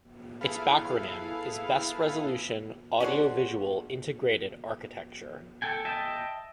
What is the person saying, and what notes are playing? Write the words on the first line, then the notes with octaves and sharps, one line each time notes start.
Its backronym is "Best Resolution Audio Visual Integrated Architecture".
E4 G#4 A4 B4 F5
C#4 D4 F#4 G#4 C5
A4 G5 G#5
D#5 E5 G5 A5